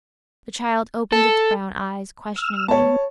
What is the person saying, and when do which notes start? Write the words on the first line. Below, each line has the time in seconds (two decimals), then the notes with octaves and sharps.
The child opened its brown eyes questioningly.
1.12 A4
2.36 E6 F6
2.68 B3 C#5 A5